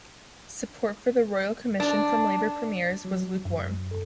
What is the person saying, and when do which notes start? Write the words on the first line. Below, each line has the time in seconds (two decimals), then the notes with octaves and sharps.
Support for the royal commission from Labor premiers was "lukewarm".
1.80 D4
3.05 F#3
3.46 F#2
3.91 A4